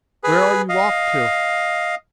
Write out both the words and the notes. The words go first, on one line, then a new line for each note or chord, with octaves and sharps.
"Where are you off to?"
G#4 B4
D#5 F5